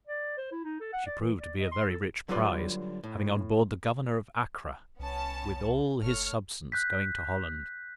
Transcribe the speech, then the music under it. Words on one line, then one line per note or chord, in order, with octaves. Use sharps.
She proved to be a very rich prize, having on board the Governor of Acra, with all his substance, going to Holland.
D5
C5
E4
D#4
A4
F#5
D5
E3
D5
D#5
C6
A4
D3 F#3 G3 F4 B4 D5
A2
C2 B3 C#4 A5
F#1 A3 C#5 F6
F#6 G6 B6